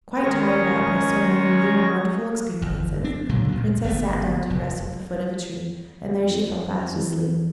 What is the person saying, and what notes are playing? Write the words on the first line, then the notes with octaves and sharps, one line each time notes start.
Quite tired out by so many new and wonderful experiences, the Princess sat down to rest at the foot of a tree, and there she fell fast asleep.
D#3 G#3 C#4 C#5 C#6 A#6
G1 F2
C4 D4
C#2 A#2 D3 F#3
F2 A#2
G1 A3 B3
F1
F2
E3